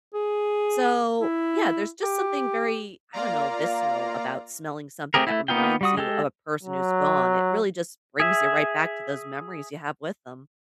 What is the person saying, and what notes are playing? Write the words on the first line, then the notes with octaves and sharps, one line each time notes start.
So, yeah, there's just something very, I don't know, visceral about smelling something that reminds you of a person who's gone. It really just brings you right back to those memories you have with them.
G#4
E4
G4
A#3 F4 D5 F5 A#5
A3 C4 G4 G#4 A#4
A3 E4
A#3 B3 D#4 F4 G5
G3 F#4 D#6
G#3 G4 A4
F#3
G#4 E5